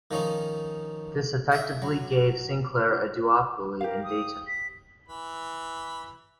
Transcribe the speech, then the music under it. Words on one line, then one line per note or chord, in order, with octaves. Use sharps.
This effectively gave Sinclair a duopoly in Dayton.
D#3 F3 C#4 D#4
D#5 E5
F#3
G4 A#4 F5
D#6
B6
E3 B5